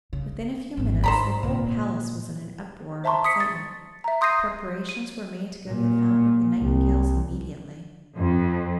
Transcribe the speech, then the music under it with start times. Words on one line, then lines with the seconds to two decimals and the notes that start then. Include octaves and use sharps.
Within a few minutes the whole palace was in an uproar of excitement. Preparations were made to go to the fountain of the nightingales immediately.
0.13 C#3
0.77 G#1 F2
1.04 G#2 C5 A#5 B5
1.43 A#2 C#3
3.04 C5 E5 A5 A#5 C6 C#6
3.24 D#6 B6 C#7
3.40 A6
4.04 E5 A#5
4.21 C6 D#6 G6 A#6 C7 D#7
4.89 D#7
5.68 A#2
6.58 C2
8.16 F2